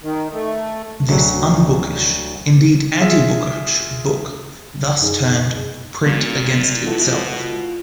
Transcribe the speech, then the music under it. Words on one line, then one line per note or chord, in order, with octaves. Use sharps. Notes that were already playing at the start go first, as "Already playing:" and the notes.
This unbookish-indeed anti-bookish-book thus turned print against itself.
D#3
A3
D2 F#3
F4 G#4 E5
F#2 D#4 G#4
A#2 G#3 B3 F#4
B2 E4 F4 A4